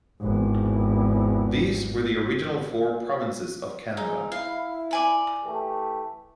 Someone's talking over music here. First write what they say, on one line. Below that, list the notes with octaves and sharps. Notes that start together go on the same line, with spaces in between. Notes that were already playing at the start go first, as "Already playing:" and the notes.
These were the original four provinces of Canada.
G#1 E2
G#3 D#4
E4 F5
D5 G#5 B5
E3 A3 G4